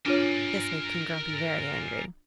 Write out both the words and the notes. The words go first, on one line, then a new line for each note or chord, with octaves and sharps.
This made King Grumpy very angry.
D4 F4 A#4 C#5 G#5